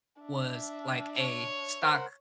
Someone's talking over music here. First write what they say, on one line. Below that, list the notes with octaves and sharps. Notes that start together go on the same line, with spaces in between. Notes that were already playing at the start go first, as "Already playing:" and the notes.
was like a stock
D4 E5
C#5
A#4 C5 F#5